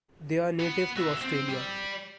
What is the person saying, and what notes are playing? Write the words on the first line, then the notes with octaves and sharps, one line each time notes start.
They are native to Australia.
B3
F#4 E5
C4
G3